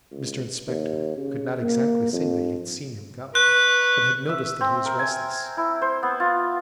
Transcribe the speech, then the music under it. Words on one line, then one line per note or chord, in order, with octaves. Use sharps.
Mr Inspector could not exactly say that he had seen him go, but had noticed that he was restless.
C#2
D#2
C#3
A#3
F2
B4 C#6 F#6
E5
C4
A#4
G#5
E4
C5
B3
F4